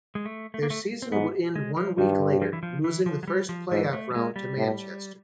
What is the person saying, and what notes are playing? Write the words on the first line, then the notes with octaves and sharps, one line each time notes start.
Their season would end one week later, losing the first playoff round to Manchester.
G#3
A3
A3
A#3
A3
C4
G#2 B3
G#3
F3
G2 D#3
F3
E3
F3
E3
F3
F#3
G3
F3
G#2 E3
A3
G3
A#2 G#3
G3
A2